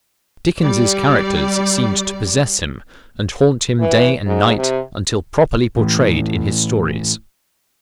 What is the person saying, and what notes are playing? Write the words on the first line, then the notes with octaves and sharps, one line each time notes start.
Dickens' characters seemed to possess him, and haunt him day and night until properly portrayed in his stories.
G3 D5
E3
G#2
C3
A2 E3